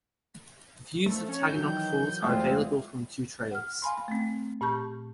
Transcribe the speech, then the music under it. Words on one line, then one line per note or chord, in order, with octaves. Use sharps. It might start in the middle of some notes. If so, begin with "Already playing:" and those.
Views of Taughannock Falls are available from two trails.
F3 A3
C#4 C#5
D#3 E3 F#3 G6
E2 G#3 A3 C4 F4 E5
F#5 F6
F5 G#5 B5 C6
A3 C4
A#2 G4 A5 C#6 G6